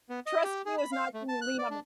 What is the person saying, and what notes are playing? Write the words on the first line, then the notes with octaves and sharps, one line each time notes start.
trust you is not "can you lean on me?"
B3
D#5
G4
G#4
B5
F5
A3
A5
F#6
D5
D4